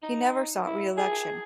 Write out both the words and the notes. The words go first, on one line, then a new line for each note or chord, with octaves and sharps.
He never sought re-election.
D#4
E4
G#4